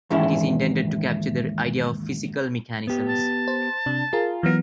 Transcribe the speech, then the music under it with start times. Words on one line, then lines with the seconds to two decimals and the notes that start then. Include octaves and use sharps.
It is intended to capture the idea of "physical mechanisms".
0.10 D#2 G#2 E3 C#4 E4
2.87 B3 G4
3.08 A5
3.48 C5
3.86 C3 D4
4.13 F4 G#4 A#4
4.43 E3 F#3 B3 A#4